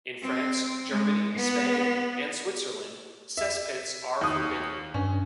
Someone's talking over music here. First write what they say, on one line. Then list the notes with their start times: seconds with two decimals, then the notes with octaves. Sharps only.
In France, Germany, Spain and Switzerland, cesspits are forbidden.
0.22 C4
0.89 G#3
1.35 B3
3.37 E5
4.21 D#2 D#6
4.94 G2 C#4